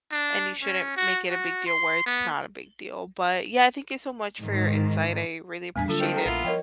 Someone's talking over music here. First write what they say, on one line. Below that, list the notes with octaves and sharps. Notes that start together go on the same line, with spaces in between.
and you shouldn't make it a big deal where it's not a big deal, but yeah, thank you so much for your insight. I really appreciated
D4
C#4
F#4
F#4
C6
B3
G#2 D#3
E2 A2 G3 B3 D4 G#5
D3 F#3 A#3 D4 F4 A4
G2 D#3 C4
A4 A#4
A#1 A#2 B3 E4 F4
F3 A#4 C#5 D#5 G5